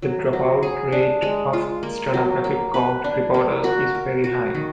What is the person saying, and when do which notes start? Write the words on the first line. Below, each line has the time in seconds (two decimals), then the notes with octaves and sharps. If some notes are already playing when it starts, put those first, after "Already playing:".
The drop-out rate of stenographic court reporters is very high.
0.02 F#3
0.33 F#3
0.63 G#4
0.92 D4
1.22 G#3
1.53 F4
1.83 A#3
2.14 F#3
2.44 A#3
2.74 B4
3.04 D4
3.34 A#3
3.64 F#4
3.95 A#4
4.24 F#4
4.55 D#3